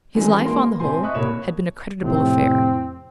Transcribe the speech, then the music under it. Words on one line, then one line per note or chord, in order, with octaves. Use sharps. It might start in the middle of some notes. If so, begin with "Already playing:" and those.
His life, on the whole, had been a creditable affair.
D#3 E3 F#3 G#3 A3 C#4
G#3 A#3 C6
B3
F2 C3 C4 G#5 C6
D#5 E5 C#6 D#6 F#6
C2 A#3 C#5 B5 E7
F2 A2 C3 C4